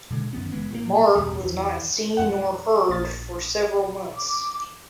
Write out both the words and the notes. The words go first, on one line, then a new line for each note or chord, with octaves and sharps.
Mark was not seen nor heard from for several months.
B2 D3 G#3
F#2 D#3 B3 C#4
F#1 E3 G#3 B3
A2 F#3 A#3
A1 E2 B2 G3
E2 E3
F2 F#5
A#1 A6
D6